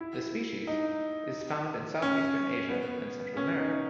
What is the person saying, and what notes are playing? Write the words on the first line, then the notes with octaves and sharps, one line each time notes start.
The species is found in Southeastern Asia and Central America.
E4
D#4
C#4
B3
C#4
D#4